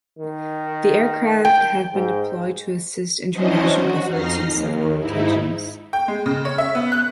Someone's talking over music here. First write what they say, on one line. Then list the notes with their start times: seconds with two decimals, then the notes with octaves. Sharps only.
The aircraft have been deployed to assist international efforts on several occasions.
0.19 D#3
1.45 G5
1.94 G#2
3.32 E3 F#3 C#4 D4 C5 D#5
3.73 F#4
4.09 F2 D#4 F6 A#6 C7
4.46 D#2
4.98 G#2 D#4 E4
5.93 G5
6.08 G#3
6.26 C#3
6.45 C#5
6.58 E5
6.75 B3
6.92 F#6